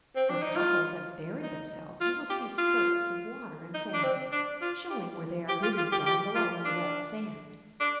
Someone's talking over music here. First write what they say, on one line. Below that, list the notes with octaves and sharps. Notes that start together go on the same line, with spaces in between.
Where Cockles have buried themselves you will see spurts of water and sand, showing where they are busy down below in the wet sand.
C4
D4
D#4
F4
D#4
F4
G4
F4
D#4
D4
C4
D4
F4
G4
G4
F4
F4
G4
G4
F4
D4
D4